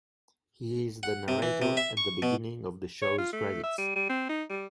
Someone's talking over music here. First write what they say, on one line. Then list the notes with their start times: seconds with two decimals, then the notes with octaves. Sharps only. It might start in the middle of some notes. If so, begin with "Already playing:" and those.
He is the narrator at the beginning of the show's credits.
1.03 F#5
1.28 C3
1.42 E3
1.62 C3
1.77 E5
1.97 C#6
2.22 B2
3.02 C#5
3.18 F4
3.33 A3
3.64 E5
3.78 G3
3.96 G3
4.09 C4
4.29 D#4
4.50 G3